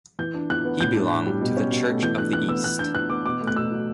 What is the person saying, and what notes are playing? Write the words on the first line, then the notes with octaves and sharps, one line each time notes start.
He belonged to the Church of the East.
E3 G6
D4
E3 F#6
B3
A2 G6
D4
A2
G3
B2
C#4
B2
A3
E3 G6
D4 F#6
E3 F#6
B3 E6
E3 F#6
D4 G6
E3 F#6
B3 D6
B2 D6
A3
F#6
B2 E6
F#3